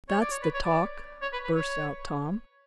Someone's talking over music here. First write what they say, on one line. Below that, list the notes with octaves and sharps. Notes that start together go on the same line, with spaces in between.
"That's the talk!" burst out Tom.
C#5
D5
C#5
B4
C#5
D5
C#5
B4
B4
C#5